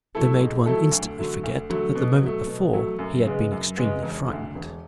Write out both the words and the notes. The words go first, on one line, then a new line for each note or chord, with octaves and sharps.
They made one instantly forget that the moment before he had been extremely frightened.
F#3 A3 E4 A4
G#2
F#3 A3 E4 A4
D2
D3 F#3 A3
D2
D3 F#3 A3
B2
F#3 A3
B2
F#3 A3
F#2
C#3 G#3 B3
F#2
C#3 G#3 B3
E1
D2 D3
E1